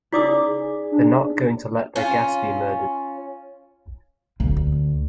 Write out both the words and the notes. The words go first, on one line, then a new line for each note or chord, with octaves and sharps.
They’re not going to let their guests be murdered.
C#3 D#4 E4 D5 D6 D#6 B6
G#4
D4
C#4 F4
D2